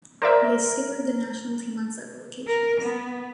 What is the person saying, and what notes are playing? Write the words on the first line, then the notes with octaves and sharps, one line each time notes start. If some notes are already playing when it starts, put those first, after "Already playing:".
He has skippered the national team on several occasions.
A#4 C5 D5 E5
A#4
B3